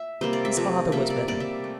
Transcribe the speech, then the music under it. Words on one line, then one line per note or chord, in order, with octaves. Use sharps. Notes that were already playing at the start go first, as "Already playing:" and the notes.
His father was with him.
Already playing: E5
C3 G3 A#3 C5
D5
E5
C3 F3 A3
C3 G3 A#3 E5
D5
C3 G3 A#3 D5
E5
A3